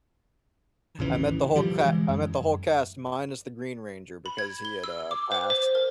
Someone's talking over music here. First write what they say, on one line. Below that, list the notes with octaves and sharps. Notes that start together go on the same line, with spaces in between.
I met the whole ca I met the whole cast minus the Green Ranger because he had, uh, passed.
A1 D#2 C#3 E3
B2 D3 F3 G3
E3 G#3
F#2
B5
G#6
G7
E6
D6
C5
C5
A#4